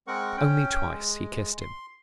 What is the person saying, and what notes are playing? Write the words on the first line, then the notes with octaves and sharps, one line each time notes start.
Only twice he kissed him.
G#3 C4 A#4 F#5 C#6
C#4 G5
G#3
C6